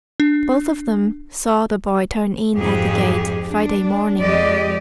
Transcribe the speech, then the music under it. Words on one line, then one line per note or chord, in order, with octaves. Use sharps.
Both of them saw the boy turn in at the gate Friday morning.
D4
F2 G#2 G4 G#4
D4
F2 G#3 G4 D5 D#5